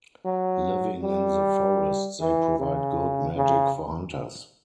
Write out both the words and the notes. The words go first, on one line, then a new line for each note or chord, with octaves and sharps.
Living in the forest, they provide good magic for hunters.
F#3
G3
E3
C#3
C#3